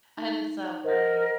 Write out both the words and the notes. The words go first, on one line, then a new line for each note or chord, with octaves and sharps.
And, so, for me,
D#4
A#4 C5 D#5 F#5